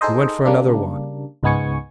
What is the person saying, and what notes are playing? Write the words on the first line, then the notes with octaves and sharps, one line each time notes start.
We went for another walk.
D#4 G#4 A4 C5 D#5
C#3 G3 A#3 D4
C#2 G#2 G#3 B3 G#5 C#6